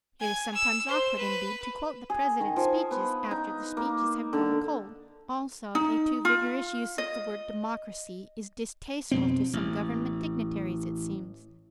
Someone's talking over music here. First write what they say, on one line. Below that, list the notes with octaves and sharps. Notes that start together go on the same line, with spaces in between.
It is sometimes awkward indeed to quote the President's speeches after the speeches have "grown cold." Also a too vigorous use of the word "democracy" is distasteful to some government dignitaries, it seems.
G#5
E6
C5
B4
G#4
D#3
F3
B3
D#4
A#3
D3
D#4
F4
D#5
F2 B2 C4
A1